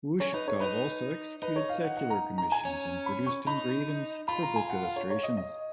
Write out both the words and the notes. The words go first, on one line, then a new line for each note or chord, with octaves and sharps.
Ushakov also executed secular commissions and produced engravings for book illustrations.
C#4 C#5
D#4 B4
C#5
D#4 B4
D#4 B4
C#5
F5
F#5
F#5
A#5
A#5
G#5
C#4
B5
C#6
D#4 B5
F4 B5
A#5
G#5
F#5
F5
C#5
C#5
D#5
D#5